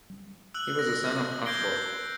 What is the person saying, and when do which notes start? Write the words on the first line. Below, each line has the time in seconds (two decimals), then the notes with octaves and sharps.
He was the son of Achbor.
0.54 E6 F#6 F#7
0.79 A#6
1.46 G6 G#6 A#6 C7 D7 G7